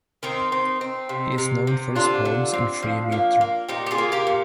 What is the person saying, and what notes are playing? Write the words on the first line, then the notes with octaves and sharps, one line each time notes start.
He is known for his poems in free metre.
D#3 C4 D#4
C4
C4
C3
C3
C3
D3 D4 F4
D3
C4
F3
A#3
A#3
A#2 D#4 G4
G4
F4 G#4
A#3
G4 A#4
A#2